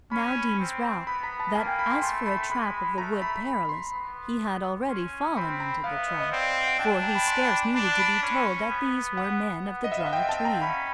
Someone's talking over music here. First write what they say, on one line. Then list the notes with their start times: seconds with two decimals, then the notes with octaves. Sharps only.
Now deems Ralph that as for a trap of the Wood Perilous, he had already fallen into the trap; for he scarce needed to be told that these were men of the Dry Tree.
0.12 C#4 B5
0.60 C4
1.07 B3 B5
1.23 A#5
1.40 A5
1.55 A#3 G#5
1.67 G5
1.79 B5
1.90 C6
2.02 A3 C6
2.26 B5
2.50 G#3 B5
2.98 A3 A#5
3.22 B5
3.69 C6
3.94 B3
4.89 C#4 C6
5.36 C4 B5
5.60 A#5
5.84 B3 F5
5.96 E5
6.08 D#5
6.20 D#5
6.32 C4 D5
6.67 F#5
6.80 D4 G5
6.91 G#5
7.03 A#5
7.15 B5
7.27 C6
7.75 D4 B5
7.99 B5
8.22 C#4
8.70 B3
9.17 F#5
9.66 B3
9.84 D#5
9.92 E5
9.99 F5
10.06 F#5
10.13 C4 G5
10.29 A5
10.45 A#5
10.61 C#4 B5